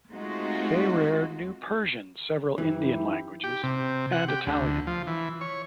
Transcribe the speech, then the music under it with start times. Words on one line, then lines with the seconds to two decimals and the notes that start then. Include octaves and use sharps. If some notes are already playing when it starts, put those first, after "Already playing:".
Fayrer knew Persian, several Indian languages and Italian.
0.12 G#3 A3 C4 D#4 F4 F#4
2.58 F#2 E3 D#4 E4 G4
3.44 G4
3.63 C3
4.12 F#5
4.28 G4
4.46 D2
4.87 F3
5.07 E3
5.41 C#5